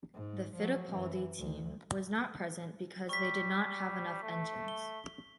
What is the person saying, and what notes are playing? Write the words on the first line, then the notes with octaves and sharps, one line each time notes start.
The Fittipaldi team was not present because they did not have enough engines.
G#2
F3 F#3
F#2 E3
D2
G3 C#6 B6
A3
G7